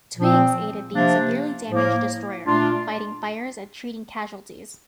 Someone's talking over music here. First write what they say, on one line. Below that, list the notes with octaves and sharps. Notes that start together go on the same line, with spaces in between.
"Twiggs" aided the severely damaged destroyer, fighting fires and treating casualties.
A#2 F3 C4
C3 F3 A#3 D4
A2 F3 A#3
A#2 A3 D4 F4